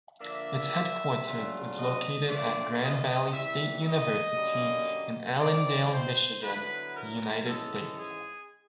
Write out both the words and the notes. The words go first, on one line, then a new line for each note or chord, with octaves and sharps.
Its headquarters is located at Grand Valley State University in Allendale, Michigan, United States.
D3 F3 A#3 D4 E5
C#3 F#3 A3 D4 F4
D#5
D3 F#3 A3 D4 F4 D5
D#5
C3 E3 G3 E5
D#5
F#2 D3 G3 A#3
E3 G#3 C4 D#4 D5
C5
D3 F#3 B3 E4 B4
A#4
G#2 E3 G#3 C#4 A4
G#4